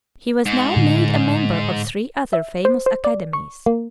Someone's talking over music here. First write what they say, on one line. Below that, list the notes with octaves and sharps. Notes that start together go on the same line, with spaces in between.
He was now made a member of three other famous academies.
G#2
A2 D3
E5
C5
C5
D5
C#6
A#3